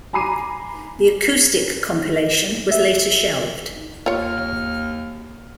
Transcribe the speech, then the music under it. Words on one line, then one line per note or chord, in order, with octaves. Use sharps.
The acoustic compilation was later shelved.
G#5 A#5 B5 D6 C7 D#7
E5
D#2 F4 C#5 F6